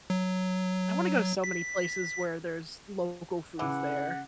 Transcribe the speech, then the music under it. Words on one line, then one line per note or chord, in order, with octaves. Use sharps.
I wanna go so many places where there's local foods there.
F#3
B6
C#3 E3 F#5 D6